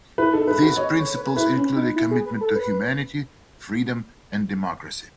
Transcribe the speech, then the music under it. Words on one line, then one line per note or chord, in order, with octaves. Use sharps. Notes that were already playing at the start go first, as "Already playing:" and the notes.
These principles include a commitment to humanity, freedom, and democracy.
E4 B4
D#4 A4
D#4 B4
F#4 B4
C#5 D#5
C#5
B4
E4 B4
C#4
D#4
E4
G#4
B4
A4
B4